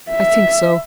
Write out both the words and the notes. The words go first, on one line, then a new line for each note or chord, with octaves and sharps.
I think so.
E5